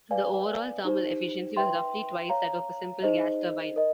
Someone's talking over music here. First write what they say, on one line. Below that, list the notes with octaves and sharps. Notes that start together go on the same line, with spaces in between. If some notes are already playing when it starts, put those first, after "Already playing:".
The overall thermal efficiency was roughly twice that of a simple gas turbine.
B4 D5 F5 G#5
D#4 G4 C5
B4 E5 G5 C6
C#5 F5 A#5
D#4 G#4 C5 D#5
A#4 D#5